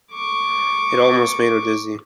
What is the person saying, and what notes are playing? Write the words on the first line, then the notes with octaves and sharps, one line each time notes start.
It almost made her dizzy.
C#6 D6